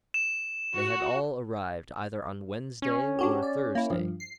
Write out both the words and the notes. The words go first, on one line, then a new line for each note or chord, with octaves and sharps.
They had all arrived either on Wednesday or Thursday.
E7
F#4
C#4
D4 F#4 G4
D5
A#3 E4
G2 F3
C7